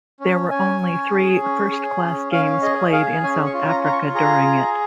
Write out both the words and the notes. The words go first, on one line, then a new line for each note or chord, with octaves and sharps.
There were only three first-class games played in South Africa during it.
C#4
C#4 G#5
C#4
G#4
C#4
G#4
C#4
C#4 F5
G#4 D#5
G#4 F5
C#4 G#5
C#6
F4
A#5
F4 A#5
C#6
G#4 A#5
G#4